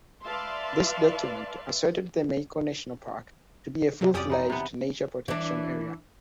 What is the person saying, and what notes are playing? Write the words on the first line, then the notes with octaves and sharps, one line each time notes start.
This document asserted the Maiko National Park to be a full-fledged nature protection area.
B4 D5 E5 F5 A5 C6
C3 F#3
F2 C#4 G4 D5 D#6
E3 D#4
C3 B3
E3 D4